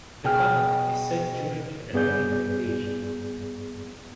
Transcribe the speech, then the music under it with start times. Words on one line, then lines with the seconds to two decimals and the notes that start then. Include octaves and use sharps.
The comic is set during an alien invasion.
0.25 B2 G#4 G5 F6
1.93 G2 B3 G#4 D5 G6